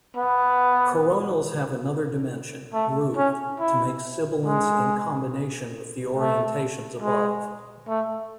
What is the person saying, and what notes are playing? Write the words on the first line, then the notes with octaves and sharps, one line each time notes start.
Coronals have another dimension, grooved, to make sibilants in combination with the orientations above.
B3
A3
C#4
E4
G#3
A3
G#3
A3